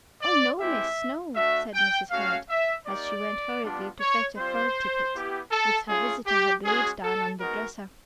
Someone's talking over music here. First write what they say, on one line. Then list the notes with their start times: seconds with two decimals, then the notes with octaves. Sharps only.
"Oh! no, miss, no," said Mrs. Hurd as she went hurriedly to fetch a fur tippet which her visitor had laid down on the dresser.
0.22 D5
0.60 G#3 C4 E4 G4 E5
1.35 A3 D4 F#4 E5
1.74 G5
2.11 A3 C#4 F#4 F5
2.49 E5
2.86 A#3 D#4 G4 D5
3.62 G3 B3 D4 F4
4.00 C#5
4.37 G3 C4 F4 C5
5.13 B3 E4 G4
5.51 A4
5.89 A3 C#4 F4 G#4
6.27 G4
6.65 G#3 C#4 F#4 G#4
7.03 A4
7.40 G#3 B3 D#4 F#4 A#4